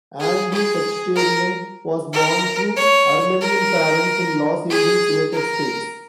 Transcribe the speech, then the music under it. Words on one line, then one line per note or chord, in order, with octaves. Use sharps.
Andy Khachaturian was born to Armenian parents in Los Angeles, United States.
G#4
G#4
A#4
A#4
C#5
A#4
G#4
A#4